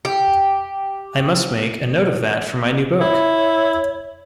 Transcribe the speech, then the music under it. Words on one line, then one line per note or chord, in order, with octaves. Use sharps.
I must make a note of that for my new book.
G4
E4 C#5